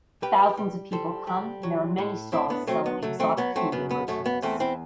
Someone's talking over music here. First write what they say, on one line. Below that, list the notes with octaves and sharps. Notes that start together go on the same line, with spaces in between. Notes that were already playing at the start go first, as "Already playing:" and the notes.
Thousands of people come and there are many stalls selling exotic food and merchandise.
G3 G4 B4
G3
G3 A4 C5
G3
F#3
A2
A2 C4 E4
B3 D4
F#3 A3 C4
B3
F#3 A3
A3 C4
F#3 B3
A3 C4
F#2 B3
B3
F#2 A3
B3
E2 A3 C4
C4 E4